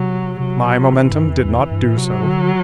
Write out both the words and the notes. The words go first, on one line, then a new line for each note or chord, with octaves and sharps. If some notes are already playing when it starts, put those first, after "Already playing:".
My momentum did not do so.
Already playing: C3 F#3
C3 F#3
C3 E3
G2
E2
E2
G2
A2
C3 F#3
D3